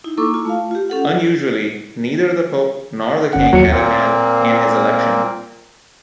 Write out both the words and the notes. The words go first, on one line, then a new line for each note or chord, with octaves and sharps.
Unusually, neither the pope nor the king had a hand in his election.
D#4 E4
A#3 A4 C#6 D6 E6
E4 F4
A3 F5
F4 G4
C#4 A4 F#5
G1 C#4 F#5
D#2 F#3 C#7
A#2 A#3 C4